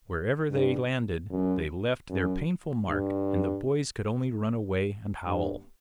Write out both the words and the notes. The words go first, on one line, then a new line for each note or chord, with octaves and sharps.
Wherever they landed, they left their painful mark and the boys could only run away and howl.
G2
F#2
F#2
G2
G2